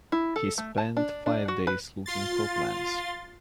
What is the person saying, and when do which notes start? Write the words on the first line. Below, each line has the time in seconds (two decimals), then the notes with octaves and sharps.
He spent five days looking for plants.
0.12 E4
0.36 A4
0.58 A3
0.78 A5
0.97 D4
1.26 D4
1.48 F#4
1.67 B4
2.06 F4 C6 A6